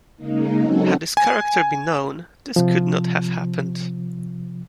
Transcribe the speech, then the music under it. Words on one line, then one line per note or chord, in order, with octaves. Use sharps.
Had his character been known, this could not have happened.
C#3 G#3 A#3 D#4
F#3 C4 C#4 D#4 F#4 A4
G#5
C3 F3